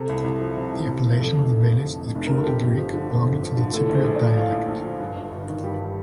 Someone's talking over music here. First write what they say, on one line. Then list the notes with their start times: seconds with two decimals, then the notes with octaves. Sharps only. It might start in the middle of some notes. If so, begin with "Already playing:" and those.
The appellation of the village is purely Greek, belonging to the Cypriot dialect.
Already playing: C3 A4
0.09 C2
0.24 C2
0.41 F3
0.57 C3
0.73 C2
0.89 C2
1.05 F3
1.19 F2 A4
1.36 F1
1.52 F1
1.67 D3
1.83 F2
1.99 F1
2.15 F1
2.27 D3 A#4
2.37 A4
2.46 F2 G4
2.62 G1
2.78 F3
2.94 D3
3.10 F2
3.25 G1
3.41 F3
3.57 D3
3.74 A2 A4
3.89 A#1
3.95 C5
4.04 A#1
4.15 D5
4.21 F3
4.37 A2 F5
4.52 A#1
4.68 A#1
4.84 F3
4.99 G2
5.16 G1
5.31 G1
5.48 D#3
5.64 G2 G4